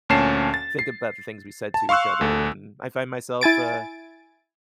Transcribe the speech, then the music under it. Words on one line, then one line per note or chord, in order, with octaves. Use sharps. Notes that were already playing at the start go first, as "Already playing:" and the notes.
think about the things we said to each other, and I find myself, uh,
D2 A#2 C#4 A5 C7 E7
A6
C7
A5
F5 C6 C#6 E6 F#6
D2 A4
E4 G#5 A6 D7